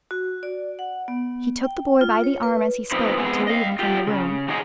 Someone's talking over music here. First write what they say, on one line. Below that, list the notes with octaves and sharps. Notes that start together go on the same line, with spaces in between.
He took the boy by the arm as he spoke, to lead him from the room.
F#4
D5
F#5
B3
G5
F4
C#5
B4
B3 C4 D#4 F4 B4 C5
G#3 B3 C4 G#4
D#5 F5
F4 G4
C#3
D#4 F#4 G#4 D#5